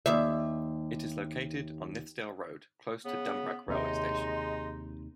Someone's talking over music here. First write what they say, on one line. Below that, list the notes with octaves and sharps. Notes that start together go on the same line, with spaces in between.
It is located on Nithsdale Road, close to Dumbreck railway station.
D#2 E5
C#3 B3
D#2 C3 G#3 D#4 D#5 C6